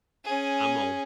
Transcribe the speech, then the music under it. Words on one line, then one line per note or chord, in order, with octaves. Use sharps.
I'm old.
C#4 G#4